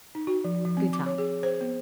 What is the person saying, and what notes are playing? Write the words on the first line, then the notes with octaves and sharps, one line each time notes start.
Good times.
D#4
F#4
F3
F3
C4
D6
C#5
G#4
C5
B3